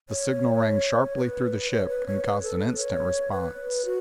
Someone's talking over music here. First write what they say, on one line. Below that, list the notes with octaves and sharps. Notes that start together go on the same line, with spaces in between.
The signal rang sharply through the ship, and caused an instant response.
C#5
B4
C#5
B4
C#5
B4
A4
B4
C#5
B4
F#4